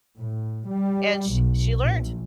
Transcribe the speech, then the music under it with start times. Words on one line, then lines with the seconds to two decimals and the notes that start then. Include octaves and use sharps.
And sh she learned.
0.18 A2
0.68 G3
1.31 B1
1.79 A#1